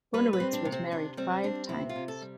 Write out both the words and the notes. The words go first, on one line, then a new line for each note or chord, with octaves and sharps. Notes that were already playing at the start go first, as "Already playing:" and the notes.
Bonewits was married five times.
G3 B4
B4
C4
D4
C3
C4
C3 D4
G3 C4
C4 D4
C3 E4
F4
C3
A4
G3